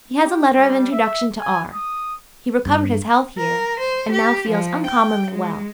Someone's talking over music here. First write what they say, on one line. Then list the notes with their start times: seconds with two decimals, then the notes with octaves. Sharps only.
He has a letter of introduction to R. He recovered his health here and now feels uncommonly well.
0.24 G4
0.54 G3
0.92 E5
1.39 G#5
1.74 D#6
2.66 G2
3.38 A#4
3.80 C5
4.11 G4
4.49 F3
4.86 G5
5.31 G#3